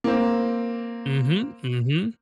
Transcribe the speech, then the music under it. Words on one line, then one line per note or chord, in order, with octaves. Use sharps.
Mhm, mhm.
A#3 C4